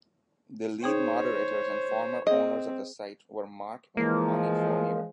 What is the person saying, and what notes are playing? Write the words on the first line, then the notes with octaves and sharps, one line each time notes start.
The lead moderators and former owners of the site were Mark and Connie Fournier.
D#4 G#4 C5 C#5 G5
C4 G#4 D#5
E3 F3 G#3 A#3